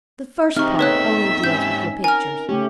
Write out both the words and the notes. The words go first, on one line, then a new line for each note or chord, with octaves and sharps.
The first part only deals with your pictures.
C4 D#4 G4 G#4 E5 C#6 F6
B3 G#4 A4 B4 C#5 E5 F#6
G#2 C4 C#4 G4 G6
A#4 G#5 F6
C#3 A3 C#4 G4